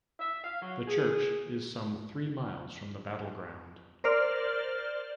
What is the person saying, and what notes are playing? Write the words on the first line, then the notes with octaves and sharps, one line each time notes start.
The church is some three miles from the battle ground.
E5
F5
F#3
G#4
A#4 C5 D5 F6